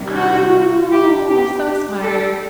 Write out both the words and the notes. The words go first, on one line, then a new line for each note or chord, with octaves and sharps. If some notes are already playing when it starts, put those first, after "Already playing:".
Oh, so smart.
Already playing: C3 D#3 G3
F#4
G4
G4
G4
A4